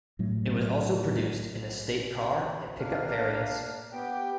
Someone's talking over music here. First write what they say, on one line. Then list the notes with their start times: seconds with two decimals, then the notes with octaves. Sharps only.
It was also produced in estate car and pick-up variants.
0.19 A2 F#3 A3
2.79 A#3 D4 F5
3.92 B3 G4 G5